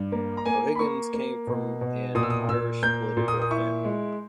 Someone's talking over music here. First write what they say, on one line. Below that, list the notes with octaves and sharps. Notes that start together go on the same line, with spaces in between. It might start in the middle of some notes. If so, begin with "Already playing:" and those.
O'Higgins came from an Irish political family.
Already playing: G2
A#3
A#5
A#3 G#5
B5
A#3 C#6
A#3
B2
B2
A#2 D#6
E6
D#6
A#2 E6
A#3 G6
A#2
D#6
D#6
E4 C#6
G#3